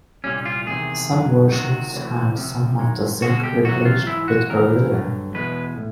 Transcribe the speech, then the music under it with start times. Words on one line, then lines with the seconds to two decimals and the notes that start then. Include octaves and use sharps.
Some versions had some of the zinc replaced with beryllium.
0.24 C2 A#2 G3 C#4
0.45 F4
0.67 E2 C3 D#3 G#4
1.10 F#2 D#3 F#3
1.52 C#2 C3 D#3 G#3 F#4
1.94 D2 C3 E3
2.37 C#2 C3 F3
2.79 F#2 D#3 G#3
3.22 C2 B2 G#3 F#4
3.44 G4
3.64 E2 C3 D#3 F#3 F#4
3.85 F4
4.06 G#2 E3 G#3 E4
4.28 F#4
4.49 D#2 C#3 E3 A#4
4.91 G2 D3 F#3
5.34 E2 B2 G#3 B4
5.76 A2